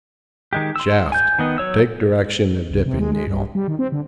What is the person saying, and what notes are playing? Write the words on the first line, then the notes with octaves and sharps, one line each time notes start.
Shafts: take direction of dipping needle.
D#3 G#3 G4
C6 E6
G#5 G6
D#3 B3 D#5
F#3 C#5 E6
C2
C3
G#3
G#3
G2
G3
D#3
C4
D3